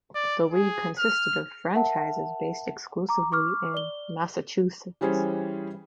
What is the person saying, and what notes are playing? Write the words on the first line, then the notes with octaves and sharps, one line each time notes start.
The league consisted of franchises based exclusively in Massachusetts.
D5
G#4
F6
A#4 E5 F#5 A5
A#5 D6
C#6 D6 F6
D5 G7
E3 G3 C#4 G#4 C5 C#5